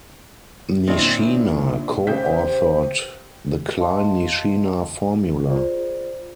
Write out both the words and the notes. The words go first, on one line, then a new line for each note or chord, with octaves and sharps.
Nishina co-authored the Klein-Nishina formula.
A#2 D#3 C4 D4 E4 C#5
C#3 G4 C5 G6 B6
D#5 F5 A5 C6
F4 G#4 C5 D5